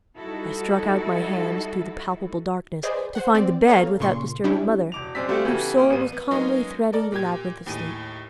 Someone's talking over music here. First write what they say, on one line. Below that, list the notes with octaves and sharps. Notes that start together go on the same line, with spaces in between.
I struck out my hands through the palpable darkness, to find the bed without disturbing mother, whose soul was calmly threading the labyrinth of sleep.
G3 D#4 E4 F#4 A4
G#4 B4 C5 D5 D#5
C5 F#5
C4 D5
B3 A4 C#5 F5 A#5
A#2 C#3 C6 C#6
G3 C#4 D4 E4 G4 C#5
E1 D6 F7
F#2 G#3 C4 D5 E6 B6
G3 A3 C4 F4 G4 A4
C#3 E3 B3 F#4 G4 A4
A#3 C#4
A1 G3 B3 D#7
B3
F#3 G#3 A#3 B3 C#4 D#4
A4 A#4 D5
A#2 G4 G#6
D#2 A2 G#4 D#7